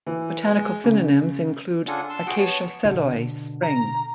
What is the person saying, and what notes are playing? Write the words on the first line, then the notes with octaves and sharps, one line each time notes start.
Botanical synonyms include "Acacia selloi" Spreng.
E3
G#3
C#3
C#3 D4 F4 A4 F#5 G#5
A5 C6 E6
F#4 G#4 F#5 G5
B3 C#5 A5
B2 D3
A#5